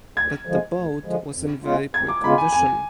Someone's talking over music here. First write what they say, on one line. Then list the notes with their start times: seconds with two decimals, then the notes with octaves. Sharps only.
But the boat was in very poor condition.
0.16 D2 G#6
0.46 D3 F3 G#3
0.75 D2
1.05 D3 F3 G#3
1.34 F2
1.64 C#3 G#3 B3 F4
1.94 F2 G#6
2.08 D6
2.23 C#3 G#3 B3 F4 B5
2.38 G#5
2.53 F2 G#5